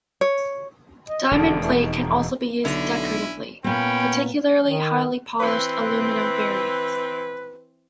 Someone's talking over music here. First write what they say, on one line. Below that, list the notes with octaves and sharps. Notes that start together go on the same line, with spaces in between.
Diamond plate can also be used decoratively, particularly highly polished aluminum variants.
C#5
D#5
E1 F2 B2 D3 D4
E3 A3 D4
D#4
B1 D3 C#4 E4
A#2 B3 C#4 G5 B5
D#3
E3 C4 B4